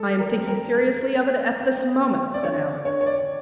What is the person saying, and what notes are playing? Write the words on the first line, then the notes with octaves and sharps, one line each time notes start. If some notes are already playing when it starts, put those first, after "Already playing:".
"I am thinking seriously of it at this moment," said Allan.
Already playing: G#3 A4
A#4
C4
A#4
G#3 B4
C4
C4
C4
D5
D3 C#5
D3 C#5
C#5
D5